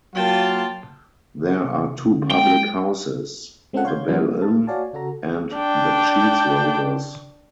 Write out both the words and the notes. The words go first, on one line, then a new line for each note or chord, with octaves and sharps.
There are two public houses: the "Bell Inn" and "The Cheese Rollers".
F#3 A#3 F4 G5 A5
C3
D3 C#4
G#3 G#4 G5
G#3 C4 C#4 F4 A4 F#5
C#5 F5 C6 G6 G#6
F3 G3 A#3 B3 C#4 E4
A5
F#4 C#5 D5 F5 G#5 A5
C#3 F#4 A4 A#5
D4 G5